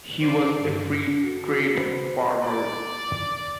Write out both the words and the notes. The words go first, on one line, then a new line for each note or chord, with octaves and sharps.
He was a free-trade farmer.
C5 D5
G2
F#4 A4
C#3 B3 B4 C5
D5